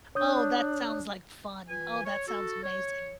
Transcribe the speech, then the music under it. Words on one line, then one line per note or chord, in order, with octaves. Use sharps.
Oh, that sounds like fun. Oh, that sounds amazing.
D4 C#5 D#6 G6
E3 F4 B4 G#5
C#5
F#4 A4
C#5